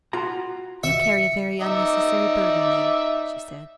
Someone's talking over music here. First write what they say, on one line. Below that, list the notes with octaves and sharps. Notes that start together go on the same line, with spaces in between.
"You carry a very unnecessary burden then," she said.
F4 F#4 A#5
E5 C#7
D#4 D5 E5